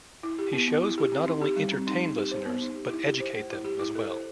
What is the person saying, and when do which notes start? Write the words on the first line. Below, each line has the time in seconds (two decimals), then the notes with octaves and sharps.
His shows would not only entertain listeners, but educate them, as well.
0.23 E4
0.39 G4
0.53 B3
0.68 B3
0.82 E4
0.98 G4
1.13 C4
1.27 D#4
1.42 G4
1.56 G3
1.72 C4
1.87 D#4
2.01 D#4
2.16 G4
2.31 C5
2.46 B3
2.61 D#4
2.76 G4
2.90 E4
3.05 G4
3.20 C5
3.35 A3
3.51 E4
3.64 G4
3.79 E4
3.95 A4
4.10 C5